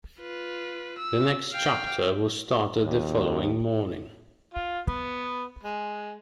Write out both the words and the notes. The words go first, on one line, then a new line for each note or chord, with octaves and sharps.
The next chapter was started the following morning.
F4 B4
E6
F5 G5
D#2
F4
B3
G#3